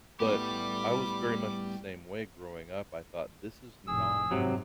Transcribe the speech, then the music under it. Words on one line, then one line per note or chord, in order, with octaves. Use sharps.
But, I was very much the same way growing up. I thought this is not
A2 G3 A3 B3 G4 B5 D6
F1 A2 G#4 E6
G#2 C3 F#3